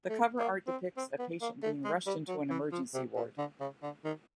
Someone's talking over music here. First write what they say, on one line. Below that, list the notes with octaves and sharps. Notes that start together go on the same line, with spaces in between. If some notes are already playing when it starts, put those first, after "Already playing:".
The cover-art depicts a patient being rushed into an emergency ward.
A3
A#3
C4
C4
B3
A#3
A3
G#3
G3
F#3
E3
F3
C3
A#2
D3
C#3
D3
D#3